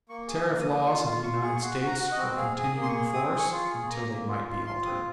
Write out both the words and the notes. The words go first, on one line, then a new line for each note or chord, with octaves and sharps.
The tariff laws of the United States were continued in force until they might be altered.
A#3 C#6
G#4
D#6
A#3
D#6
A#3
D#6
F4 C#6
F4
F4 C#6
G#4 C#6
C#6
F#4 C6
F#4
A#5
F#4
D#5
C4
G#4 F5
G#4
D#6
A#3
C6
C#6
G#4
C4 D#6
G#4
C#6
F4
C#6
G#4
A#3 A#5
A#3
F4
F4
F4 C6
C4 D#6